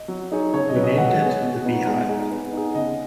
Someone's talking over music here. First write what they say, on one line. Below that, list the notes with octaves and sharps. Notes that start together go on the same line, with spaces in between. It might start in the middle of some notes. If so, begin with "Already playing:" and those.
We named it The Beehive.
Already playing: D#5
F#3
D#4 G#4 C#5
C#3 C#5
D#5
F#3 C#4 B4
D#5
G#3 F#5
B3 G#4 C#5
B2
B3 D#4
G#3
D#4 G#4
B3
D#4 G#4
C#3 D#5